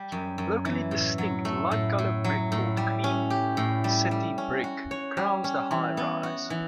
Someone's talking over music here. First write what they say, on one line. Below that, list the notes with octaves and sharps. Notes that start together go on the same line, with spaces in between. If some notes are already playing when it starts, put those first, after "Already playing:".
Locally distinct light colored brick called Cream City brick crowns the high-rise.
Already playing: G3
F#2
F#2
E3
A2
F#3
A3
A2
A2
F#3
A2
G3
C#4
G4
A2
G3
G3
C#4
F#4
C#5
G3
C#4
E3
B3
F#4
E3